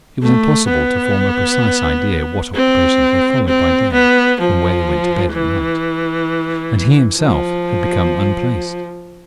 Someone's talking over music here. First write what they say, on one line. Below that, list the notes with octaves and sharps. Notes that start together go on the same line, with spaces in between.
It was impossible to form a precise idea what occupations they followed by day and where they went to bed at night. And he himself had become unplaced.
A3
B3
C4
C4
B3
F3
E3
F3